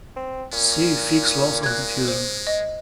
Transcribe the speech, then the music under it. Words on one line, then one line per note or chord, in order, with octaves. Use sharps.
See Fick's laws of diffusion.
C4
A#2 C#4
G#3 F#6 G#6
C5
D#5